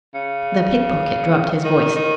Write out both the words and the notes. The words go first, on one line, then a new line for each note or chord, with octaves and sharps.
The pick-pocket dropped his voice.
C#3
D#3
D#3